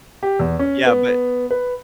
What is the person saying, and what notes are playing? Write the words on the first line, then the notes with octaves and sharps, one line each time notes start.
yeah, but
G4
E2
C#4
B3
B4